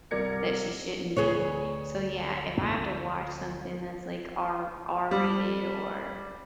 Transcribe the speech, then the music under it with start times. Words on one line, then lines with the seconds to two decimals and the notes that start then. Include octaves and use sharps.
that she shouldn't be. So, yeah, if I have to watch something that's, like, R R-rated or,
0.11 C2 A#4 D5 G#6 A#6 C#7
1.17 D2 G#4 B4 C#5
5.11 G3